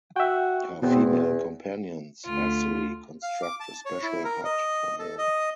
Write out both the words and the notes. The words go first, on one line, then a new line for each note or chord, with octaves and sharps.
Her female companions hastily construct a special hut for her.
F#4 E5 G5
E2 B2 B3 C4
D2 F4
F5
D6
A5
C#5
E4
A#4
D#5
A4
D#5